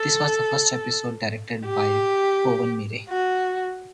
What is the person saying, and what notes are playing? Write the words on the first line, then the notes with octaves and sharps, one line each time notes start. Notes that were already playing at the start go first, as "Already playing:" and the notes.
This was the first episode directed by Povenmire.
Already playing: A4
G4
F#4